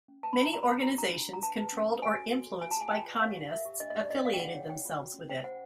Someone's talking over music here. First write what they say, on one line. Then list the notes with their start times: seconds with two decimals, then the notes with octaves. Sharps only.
Many organisations controlled or influenced by Communists affiliated themselves with it.
0.08 C#4
0.23 B4 A5
0.33 B5
0.39 B4 A#5
0.53 G4 A#5
0.63 B5
0.67 D4 A#5
0.83 F#4 A#5
0.98 D4 A#5
1.13 D4
1.28 D4
1.33 A#5
1.42 B4 A5
1.57 B4
1.73 C#4
1.87 C#4
2.02 C#5 G#5
2.16 F#4
2.32 F#4
2.47 A4
2.61 F4 G#5
2.71 A5
2.76 G#4 G#5
2.91 F4 G5
3.06 B4
3.21 C#5 F5
3.36 G4
3.51 A#4 E5
3.65 G4
3.80 D4 D#5
3.90 D#5
3.95 G4
4.00 D5
4.10 D4 D#5
4.25 D4 F5
4.34 G5
4.40 G#4 F#5
4.55 C#5
4.70 C#5 G5
4.85 F4
4.99 F#4
5.14 C#4
5.29 C5 G5
5.44 C5 F#5